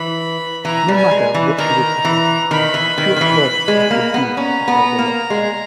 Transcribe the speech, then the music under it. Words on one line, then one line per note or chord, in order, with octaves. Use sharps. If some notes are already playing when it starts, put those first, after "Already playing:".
No matter what she was offered, Stewart-Gordon refused to sell the lot.
Already playing: E3 B5
E3 A#5
G3
G#5
G#3
E3
D#3 A#5
E3
D#3 B5
E3
D#3
D#3
E3
G#3
A#3
B3
C#4 A#5
B3
A#3
G#3